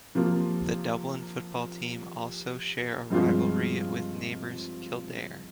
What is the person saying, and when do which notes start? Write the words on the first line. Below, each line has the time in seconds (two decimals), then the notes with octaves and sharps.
The Dublin football team also share a rivalry with neighbours Kildare.
0.15 C3 F3 A#3 F4
3.10 G2 F3 G#3 C4 F4